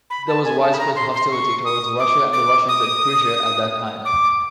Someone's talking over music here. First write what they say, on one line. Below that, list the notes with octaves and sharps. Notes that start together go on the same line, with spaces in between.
There was widespread hostility towards Russia and the Russians in Prussia at that time.
B5
A5
G#5
A5
B5
A#5
C6
C6
C#6
D#6
D6
D6
D#6
D6